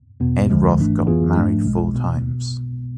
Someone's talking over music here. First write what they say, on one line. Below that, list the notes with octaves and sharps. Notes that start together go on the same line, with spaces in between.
Ed Roth got married four times.
E2 B2 B3
D2 D3 F3 G#3
G#1 G#2 E3 A3 D4
F2 E3 B3 F4 G#4
G#2 F3 A3 D4
B1 B2 G#3
B2 B3